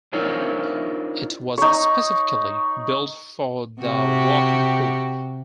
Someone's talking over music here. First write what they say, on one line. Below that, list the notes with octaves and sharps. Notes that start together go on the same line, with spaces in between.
It was specifically built for the working poor.
D4 D#4 F4 A#4 C5 C#5
D#4 C#5
C3 F#4 G4